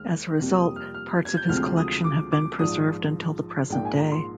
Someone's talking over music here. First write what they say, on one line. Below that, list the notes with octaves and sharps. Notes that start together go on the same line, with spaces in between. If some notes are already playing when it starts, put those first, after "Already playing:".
As a result, parts of his collection have been preserved until the present day.
Already playing: D#2 D#3 G#3 F6
F2 C3 G3 A#3
D#6
F6
F6
G#6
G6
D2 C3 F3 G#3 C4 F6
D#6
D6
D6
A#1 G#2 F3 D#6
A#1 G#2 F3 A#3 G5
G#5
A#5
C6